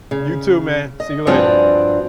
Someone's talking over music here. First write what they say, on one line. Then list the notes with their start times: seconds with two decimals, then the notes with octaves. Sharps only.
You too, man. See you later.
0.11 C#3
1.00 D#5
1.27 G2 F3 C4 D4 F#4 G#5